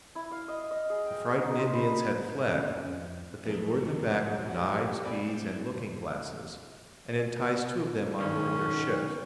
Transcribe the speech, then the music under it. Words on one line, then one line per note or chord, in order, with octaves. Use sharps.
The frightened Indians had fled, but they lured them back with knives, beads, and looking-glasses, and enticed two of them on board their ships.
E4
F5
D#5
D#5
G#4
G5
F#5
D#4
C5
B5
B5
C#4
F2
B1 F2 A3 B3 G#4 A#4
F#3 C4
G4 D5 E5 F#5
C4 D5 G#5 B5
B1 D#3 C#4